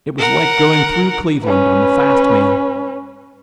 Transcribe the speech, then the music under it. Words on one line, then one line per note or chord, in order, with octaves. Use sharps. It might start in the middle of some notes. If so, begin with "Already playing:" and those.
It was like going through Cleveland on the fast mail.
A#4 F#5
C#4 B4